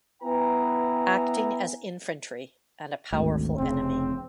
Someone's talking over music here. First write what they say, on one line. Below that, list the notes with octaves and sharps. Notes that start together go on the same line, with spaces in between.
Acting as infantry and a powerful enemy.
B3 E4 B4 G5 G#5 A#5
G#1 D2
F1 C#3 C4